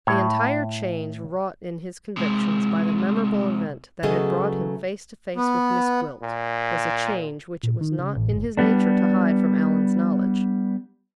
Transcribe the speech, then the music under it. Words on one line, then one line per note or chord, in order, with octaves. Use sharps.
The entire change wrought in his convictions by the memorable event that had brought him face to face with Miss Gwilt was a change which it was not in his nature to hide from Allan's knowledge.
A2 C#5
C3 G#3
C#3 F#3 A3 B3 G#4 D#5
B3
A#2
A#2
D#3
C#3
A1
G1
G3 B3 D4